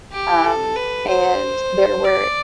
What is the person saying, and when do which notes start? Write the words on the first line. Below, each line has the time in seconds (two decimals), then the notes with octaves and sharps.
um, and there were
0.12 G4
0.44 A4
0.76 B4
1.08 C5
2.04 D5